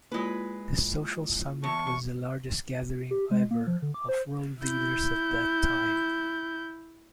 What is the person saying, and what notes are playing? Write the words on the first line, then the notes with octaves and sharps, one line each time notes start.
The Social Summit was the largest gathering ever of world leaders at that time.
G#3 A#3 E4 F4 B4
E2 A5 C#6
G4
G#3
A#3
F3
D3
D6
C5
E4 G6